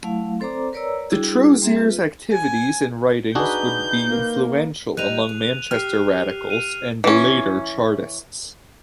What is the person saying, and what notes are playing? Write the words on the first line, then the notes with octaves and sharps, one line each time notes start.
Detrosier's activities and writings would be influential amongst Manchester Radicals and the later Chartists.
F#3 A3 E4 F5
C4 A4 C5 D5 A#5 D6
A#4 B4 C#5 D5 A#5 E6
G3 D4 E4 F#4 G#4
G3 A#3 C4 G#4 E5
F4 B4
G#5
D4 D#4 F#4 G#4 B4 G6
A#3
G3 D#4 F#6 D#7 F7
G#4
G4 F6 C7
D#7 F7
E3 C#4